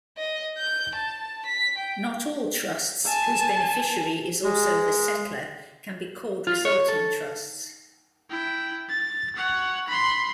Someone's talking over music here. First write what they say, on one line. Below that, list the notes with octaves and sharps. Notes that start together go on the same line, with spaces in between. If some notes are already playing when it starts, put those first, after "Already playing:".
Not all trusts whose beneficiary is also the settlor can be called resulting trusts.
D#5
G6
A5
B6
G5
G#5 A5
G#3
F4
C#5
A4
E4 G5
A6
C#5 F#5
B5 C6